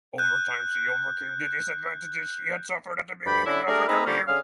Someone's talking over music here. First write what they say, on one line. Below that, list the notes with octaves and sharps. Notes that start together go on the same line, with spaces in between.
Over time she overcame the disadvantage she suffered at the beginning of her career.
F#6 G6
D2 G2 D5 G5 B5
D3 C#4 D4 E4
A3 D4 G4 G#4 A#4
C4 D#4 G#4 B4 E5 A#5
D3 F3 G3 A#3 C#4 G4
D3 C#4 G#4 F5